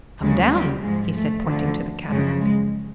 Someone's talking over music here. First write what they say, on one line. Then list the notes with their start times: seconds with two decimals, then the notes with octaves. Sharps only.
"Come down," he said, pointing to the cataract.
0.20 D#2 C#3 F#3 G#3
0.52 G3
0.83 G#2 F3 G#3
1.14 A3
1.45 D2 D3 F3
2.07 F#2 C#3 F3 G#3
2.39 G#3